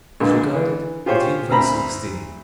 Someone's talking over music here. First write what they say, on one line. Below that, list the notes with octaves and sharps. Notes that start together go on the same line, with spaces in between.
"Is regarded with universal esteem."
A#1 D3 G#3 B3
E3
F4 G4 G#4 C5 C#5
D2 C4 A#5 B5